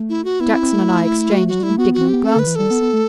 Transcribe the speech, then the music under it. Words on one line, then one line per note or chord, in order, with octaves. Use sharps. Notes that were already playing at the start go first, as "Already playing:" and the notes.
Jackson and I exchanged indignant glances.
Already playing: A3
E4
F#4
B3 E4
C4
C4
A3
F#4
F#3 F#4
G3 E4
A3
B3 F#4
F#4
C4
B3 G4
C4 A4
D3
B4
E3
G3 A4
B3
B3
A3